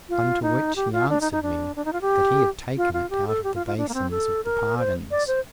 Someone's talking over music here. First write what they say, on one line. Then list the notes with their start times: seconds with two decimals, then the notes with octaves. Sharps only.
Unto which he answered me that he had taken it out of the basins of the pardons.
0.09 F4
0.43 D#4
0.76 G4
0.93 F4
1.09 D4
1.21 D#4
1.32 D#4
1.43 D4
1.76 D4
1.85 D#4
1.93 F4
2.01 G4
2.77 F4
2.94 F4
3.10 G4
3.27 A4
3.44 G4
3.55 F4
3.67 F4
3.77 D4
3.89 A#3
3.94 C4
4.11 A4
4.45 A#4
4.78 C5
5.11 D5
5.27 C5